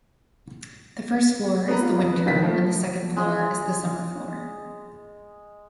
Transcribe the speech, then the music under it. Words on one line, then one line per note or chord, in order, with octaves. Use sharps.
The first floor is the winter and the second floor is the summer floor.
B3 A#4 A#5 B5
F4
F2
B4
F#1 D#3 B6
F3 A3
G#3 D#5 G#5